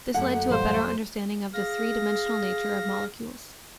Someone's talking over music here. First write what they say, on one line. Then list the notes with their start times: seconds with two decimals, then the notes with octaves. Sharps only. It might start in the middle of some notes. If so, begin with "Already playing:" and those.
This led to a better understanding of the three-dimensional nature of molecules.
0.14 F#2 A3 A#3 F#5
0.50 A1 G3 C5 F5
1.54 G#4 F5 A#6